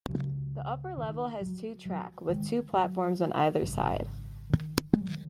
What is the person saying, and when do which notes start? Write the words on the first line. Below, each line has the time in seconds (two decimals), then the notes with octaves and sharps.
The upper level has two track with two platforms on either side.
0.08 C#2 C#3 F#3
0.97 D#3
1.41 F#3
1.86 F#3
2.29 D#3 G#3
2.73 F#3
3.62 G#1 F#2 C#3
4.50 D#3
4.94 G#3
5.01 F#3
5.08 D#3